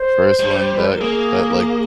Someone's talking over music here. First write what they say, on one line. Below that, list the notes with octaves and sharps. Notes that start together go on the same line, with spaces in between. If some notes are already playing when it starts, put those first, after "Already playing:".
First one that that, like,
Already playing: C5
G3
A#4
A#3 G#4